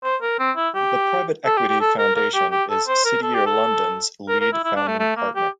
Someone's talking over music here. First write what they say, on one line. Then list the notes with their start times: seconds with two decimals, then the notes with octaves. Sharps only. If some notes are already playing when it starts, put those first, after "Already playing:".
The Private Equity Foundation is City Year London's Lead Founding Partner.
0.04 C5
0.22 A#4
0.39 C4
0.57 E4
0.75 G4
1.46 A4
1.57 G4
1.69 G4
1.81 A4
1.99 A#4
2.16 A#4
2.34 G4
2.51 G4
2.70 A4
2.87 C5
3.05 A#4
3.23 A4
3.34 G4
3.46 A4
4.29 A#4
4.41 A#4
4.53 E4
4.64 E4
4.76 D4
4.88 A3
4.99 A3
5.17 A#3
5.35 G4